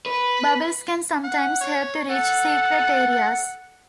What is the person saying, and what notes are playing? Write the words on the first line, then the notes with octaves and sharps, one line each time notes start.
Bubbles can sometimes help to reach secret areas.
B4
F#5
C#5
A4 F#5